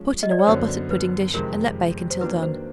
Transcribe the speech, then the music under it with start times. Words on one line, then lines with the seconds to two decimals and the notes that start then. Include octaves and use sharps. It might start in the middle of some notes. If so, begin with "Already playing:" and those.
Put in a well-buttered pudding-dish, and let bake until done.
Already playing: F3 G#3 C#4
0.23 D#5
0.31 D5
0.39 C#5
0.47 F#2 D3 F#3 B3 C5
0.91 B4
1.34 F2 C3 D#3 G#3 C4 A#4
2.11 C5
2.21 D#3 F#3 A#3 D4 B4
2.43 C5